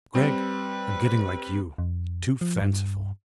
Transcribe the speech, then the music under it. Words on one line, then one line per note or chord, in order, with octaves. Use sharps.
Gregg, I'm getting like you--too fanciful.
G3 C4 B4
F2
F3
G2